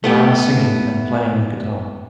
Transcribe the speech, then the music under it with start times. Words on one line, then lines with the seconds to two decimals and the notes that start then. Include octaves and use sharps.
Man singing and playing a guitar.
0.04 A3 B3 G4